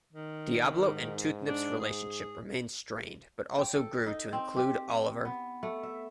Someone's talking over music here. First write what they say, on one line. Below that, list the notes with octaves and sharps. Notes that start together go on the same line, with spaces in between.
Diablo and Toothgnip's relationship remained strained but also grew to include Oliver.
D#3
G#2
D4
G#4
G5
A4
D#4
C4
G4
B3
A3
E5